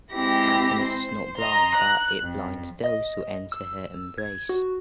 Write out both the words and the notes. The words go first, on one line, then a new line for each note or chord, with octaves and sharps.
Happiness is not blind, but it blinds those who enter her embrace.
G#3 C4 E4 G4 A#6
C5
D#5 A#5 C6
F#6
F2
D#5
E6
G#6
F#4